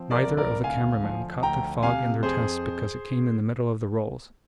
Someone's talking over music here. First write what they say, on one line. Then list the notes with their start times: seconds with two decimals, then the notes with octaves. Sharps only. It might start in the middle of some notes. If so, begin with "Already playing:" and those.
Neither of the camera men caught the fog in their tests because it came in the middle of the rolls.
Already playing: F3 C4
0.11 A#4 D5
0.24 C2
0.37 A#4 D5
0.64 D2 F5 G#5
1.04 F3
1.43 D2 G5 A#5
1.83 C3 F5 G#5
2.23 F2 G#4 C5